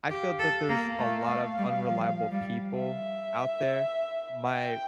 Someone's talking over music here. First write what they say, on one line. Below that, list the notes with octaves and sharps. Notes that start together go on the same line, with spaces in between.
I feel that there's a lot of unreliable people out there. My
G4 F5
A4
A#3
A3
A3
G3
F3
G3
E5
G5